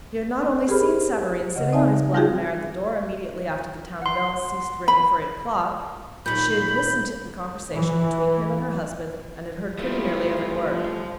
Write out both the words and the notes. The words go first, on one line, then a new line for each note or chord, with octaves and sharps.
She had not only seen Savareen sitting on his black mare at the door, immediately after the town bell ceased ringing for eight o'clock; but she had listened to the conversation between him and her husband, and had heard pretty nearly every word.
G4 G#4 A#4 C5 B5 F6
C#3 D#5 F#5
C4 D#4 D5 E5 G#5 A5
G3 D#4 F4 F#4 G#4
F#5 C6
B5
D#2 A#2 B5 G6
E3
G3 A3 E4 F4
F3